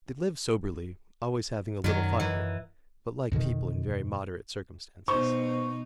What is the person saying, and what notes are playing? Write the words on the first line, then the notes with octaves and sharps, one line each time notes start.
They lived soberly, always having a little fire, but like people in very moderate circumstances.
F#2 D#3 F#3
E3
F2 B2 D3 D#3
B2 D#4 C5 C#6